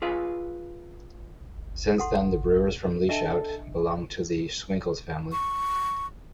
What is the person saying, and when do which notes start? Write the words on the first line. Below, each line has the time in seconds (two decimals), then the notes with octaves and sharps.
Since then the brewers from Lieshout belong to the Swinkels family.
0.02 F4 G#4 B4 F5
1.98 A4 F#5 C6
3.09 D4 A4 D#5 E5
5.32 C#6